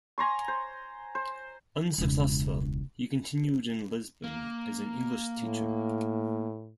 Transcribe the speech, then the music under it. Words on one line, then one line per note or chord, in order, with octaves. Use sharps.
Unsuccessful, he continued in Lisbon as an English teacher.
G#5 A#5 C6 C#6
C5
C5
E1 C#2
A#3
A2